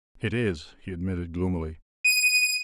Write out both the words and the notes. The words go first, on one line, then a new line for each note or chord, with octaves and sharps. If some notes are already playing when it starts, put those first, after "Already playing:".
"It is," he admitted gloomily.
D#7